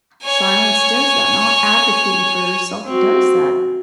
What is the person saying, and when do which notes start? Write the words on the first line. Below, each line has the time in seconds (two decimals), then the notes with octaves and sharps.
Silence does that, not advocating for yourself does that.
0.23 C#5 G#5
2.86 C4 F#4